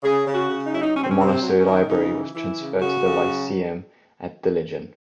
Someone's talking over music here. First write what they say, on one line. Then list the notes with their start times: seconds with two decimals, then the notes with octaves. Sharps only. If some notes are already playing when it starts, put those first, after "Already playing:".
The monastery library was transferred to the "Lyceum" at Dillingen.
0.03 C#3 G#4
0.27 C#3
0.34 F#4
0.50 C#3
0.65 D#4
0.73 F#3 E4
0.80 D#4
0.96 C3 C#4
1.03 C4
1.10 C#4
1.20 C3
1.27 C4
1.43 F#3
1.58 C#4
1.65 D#3
1.89 C#3 D#4
2.12 E3
2.34 E3 E4
2.58 C#3
2.81 C#3 F#4
3.05 C#3
3.27 F#3